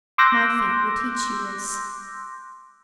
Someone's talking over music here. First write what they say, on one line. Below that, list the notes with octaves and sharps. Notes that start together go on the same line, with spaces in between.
My fate will teach you this..
C6 D6 E6 F#6 G6 A#6